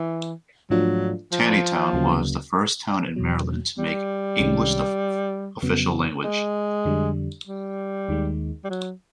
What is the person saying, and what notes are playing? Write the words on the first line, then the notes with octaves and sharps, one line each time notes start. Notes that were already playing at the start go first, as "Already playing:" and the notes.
Taneytown was the first town in Maryland to make English the official language.
Already playing: E3
G#2 F3 F#3 A3 D4 F4
F3
D2 C#3 F#3 A#3
E2 B2 F#3
G3
C2 C3 D#3 G#3 C#4
F2 C#3 F#3 B3
G#3
F2 D3 G3
G3
D#2 D#3 G#3
G3
F#3